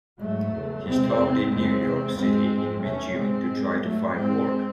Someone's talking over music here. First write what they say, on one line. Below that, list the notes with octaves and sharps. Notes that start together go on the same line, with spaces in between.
He stopped in New York City in mid-June, to try to find work.
G#2 F#3 A3
E2 C#3
E2 C3 G#3 C4
E2 C3
F#2 C#3 G#3 C4
E2 C3
G#2 G#3 C4
G#2
E2 C3 A3 C#4
G#2 G#3 C4
G#2
G#2 F#3 A3
G#2 G#3 C4